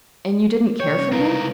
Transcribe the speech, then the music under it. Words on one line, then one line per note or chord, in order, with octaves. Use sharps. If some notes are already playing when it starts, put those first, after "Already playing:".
"And you didn't care for him!"
C3 C#5 G5 G6
G3 C#4
C#2 E4 A#4 B4 F5